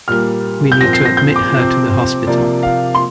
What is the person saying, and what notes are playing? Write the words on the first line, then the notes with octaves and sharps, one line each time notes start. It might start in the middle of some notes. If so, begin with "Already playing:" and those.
We need to admit her to the hospital.
A#2 G3 A#3 F6
G6
A#2 F3 C4 A#6
C7
A#6
G6
D6
C3 F3 C4
C5
C3 F3 A#3 D5
F5
C6